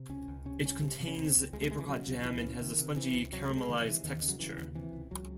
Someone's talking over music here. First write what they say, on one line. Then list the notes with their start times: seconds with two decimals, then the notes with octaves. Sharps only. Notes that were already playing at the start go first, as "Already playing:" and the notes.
It contains apricot jam and has a spongy caramelized texture.
Already playing: C3
0.09 C#2 C#4
0.28 C#2
0.45 C3 C#4
0.64 C2 C#4
0.81 C3
1.00 C3
1.07 C#4
1.17 C#2 C4
1.36 C#2
1.53 C#2 G#3
1.61 A3
1.70 C3 G#3
1.80 E3
1.88 C#3 F#3
2.07 C#2
2.24 C#2 E3
2.43 C#3
2.61 C3 D#3
2.78 C3
2.96 C3 E3
3.14 C#2
3.32 C3 F#3
3.49 C3 A3
3.56 G#3
3.69 C3 D#3
3.80 E3
3.85 C3
4.04 D#2 D#3
4.22 C#3
4.28 F#3
4.39 C#3 E3
4.58 D#2
4.75 C3 E3
4.93 C#2
5.11 C#2 F#3